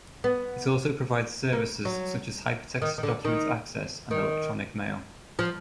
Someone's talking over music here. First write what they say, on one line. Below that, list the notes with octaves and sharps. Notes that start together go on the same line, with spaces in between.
It also provides services such as hypertext document access and electronic mail.
B3
A#3
F#3
D#3
D#3
D3
D#3
D#3
F3